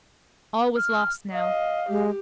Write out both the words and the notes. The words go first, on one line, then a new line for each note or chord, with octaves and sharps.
All was lost now.
F6
D#5 F5
G#3 G4